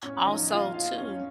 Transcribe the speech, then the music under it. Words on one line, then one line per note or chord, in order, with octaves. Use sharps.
also too
A2 C#4 C#5
F3 D#4 D#5
F3 F4 F5
A2 F4 F5
F2 C#4 C#5